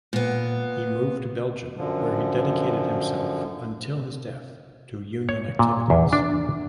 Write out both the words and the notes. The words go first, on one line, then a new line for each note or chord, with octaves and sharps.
He moved to Belgium where he dedicated himself until his death to union activities.
A#2 B3
F#2 D3 F3
C#5
A#2
E2
D4